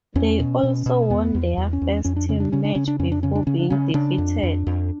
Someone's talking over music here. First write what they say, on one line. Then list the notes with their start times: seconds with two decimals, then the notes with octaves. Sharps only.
They also won their first team match before being defeated.
0.16 E2 C#4
0.40 B2
0.63 B2
0.86 B2
1.10 E2 B3
1.35 E2
1.58 E2
1.73 C#4
1.82 E2
2.05 F2 C#4
2.16 D4
2.29 C#3 C#4
2.40 D4
2.52 C#3 C#4
2.65 D4
2.76 C#3 C#4
2.88 D4
2.99 F2 C#4
3.12 D4
3.23 C#3 C#4
3.35 D4
3.47 C#3 C#4
3.59 D4
3.70 C#3 C#4
3.94 C#3 D4
4.18 F2
4.43 F2
4.67 F2